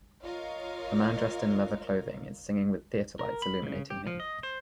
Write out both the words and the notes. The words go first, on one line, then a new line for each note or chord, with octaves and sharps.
A man dressed in leather clothing is singing with theater lights illuminating him.
F4 A#4 C#5 D#5 F5
A#4
B5
C#3
G4
F3
D#5
C5